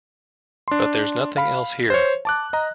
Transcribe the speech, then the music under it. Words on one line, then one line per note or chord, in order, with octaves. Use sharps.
But there's nothing else here.
D4 C6
F5 B5
C5 C#5
A5 D6 F#6
D#5 A#5